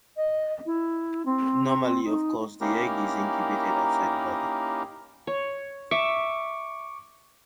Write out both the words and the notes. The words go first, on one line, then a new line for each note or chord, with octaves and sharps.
Normally, of course, the egg is incubated outside the body.
D#5
E4
C4
D#4
A#3 C#4 D#4 E4 G4 A#4
C#5
E5 C#6 D6